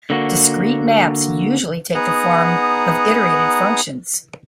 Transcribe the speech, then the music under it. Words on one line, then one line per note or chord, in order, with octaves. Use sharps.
Discrete maps usually take the form of iterated functions.
D3 A#3 F#4
B3 D#4 G#4 F#5 A#5 D#6